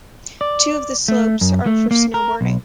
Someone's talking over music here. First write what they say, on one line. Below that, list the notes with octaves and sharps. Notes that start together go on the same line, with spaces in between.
Two of the slopes are for snowboarding.
D5
A3
F#2
A3
A#3
A#4
B1